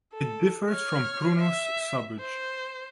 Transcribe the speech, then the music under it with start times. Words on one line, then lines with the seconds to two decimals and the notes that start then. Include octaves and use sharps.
It differs from "Prunus" subg.
0.14 A4
0.70 C#5 F6
1.39 E5
2.20 C5